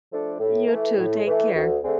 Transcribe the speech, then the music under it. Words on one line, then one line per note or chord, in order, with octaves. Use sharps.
You too. Take care.
F3 A3 D4 A4
A2
E3 A3
A2
E3 A3
D2
D3 A3 C4 G#4